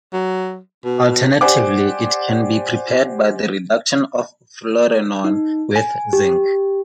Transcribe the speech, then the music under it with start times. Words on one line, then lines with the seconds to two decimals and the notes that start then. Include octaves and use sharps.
Alternatively, it can be prepared by the reduction of fluorenone with zinc.
0.13 F#3
0.85 B2
1.41 G4 C5 D5 F#5 G#5 D6
5.25 D#4
5.76 G#5
6.13 G4